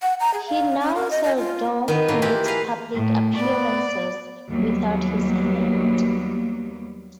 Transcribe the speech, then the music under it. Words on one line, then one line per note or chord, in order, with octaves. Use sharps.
He now seldom makes public appearances without his hat.
F#5
A#5
G#4
F5
C#4
A#4
D#5
D#5
F4
D#3 B3
A2 A#3
E3 A#3 F4 G4
G#4 A#4 B4 F5
A2
B3 D5
D#2 F#3 G3 A#3 B3